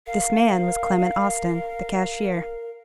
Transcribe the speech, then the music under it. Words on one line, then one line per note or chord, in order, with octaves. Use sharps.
This man was Clement Austin, the cashier.
A#4 F5